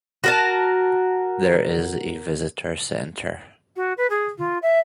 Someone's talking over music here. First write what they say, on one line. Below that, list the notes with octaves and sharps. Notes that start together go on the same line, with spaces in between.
There is a Visitor Center.
F#4 A#4 A5
F#4
B4
G#4
F4
E5